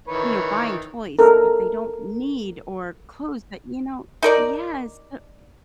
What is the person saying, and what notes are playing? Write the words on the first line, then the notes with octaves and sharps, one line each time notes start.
you know, buying toys that they don't need, or clothes that, you know Yes, the
D#3 E3 B4 C#5
A4 A#4
D#4 A#4 D5